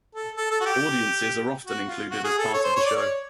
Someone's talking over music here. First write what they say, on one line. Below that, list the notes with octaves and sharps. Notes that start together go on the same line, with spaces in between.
Audiences are often included as part of the show.
A4
A4
A4
F#4
G4
F#4
F4
F#4
G#4
A4
C#5
C5
C#5
D5
C#5